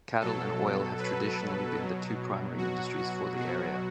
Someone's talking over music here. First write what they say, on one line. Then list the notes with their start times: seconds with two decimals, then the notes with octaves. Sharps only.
Cattle and oil have traditionally been the two primary industries for the area.
0.20 B2 F#3 A4
0.99 B4
1.79 B2 F#3
2.58 F#4
2.97 F#4
3.38 B2 F#3 F#4